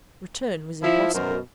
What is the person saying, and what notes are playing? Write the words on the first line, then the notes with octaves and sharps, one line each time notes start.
Return was impossible.
F3 E4
F#2 B2 A#4 C5